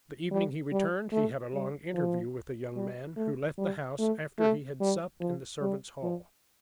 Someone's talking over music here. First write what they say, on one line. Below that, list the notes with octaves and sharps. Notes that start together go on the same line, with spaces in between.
The evening he returned he had a long interview with the young man, who left the house after he had supped in the servants' hall.
G3
G3
A3
G3
F3
G3
A3
G3
A3
A3
G3
F3
G3
F3